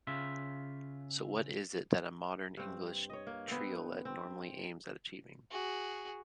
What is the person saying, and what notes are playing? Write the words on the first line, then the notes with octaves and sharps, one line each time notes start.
So what is it that a modern English triolet normally aims at achieving?
C#3 F4 E5
G2 C4
C#5 D#5
A#3
B3 C4
C4
F#4 G#4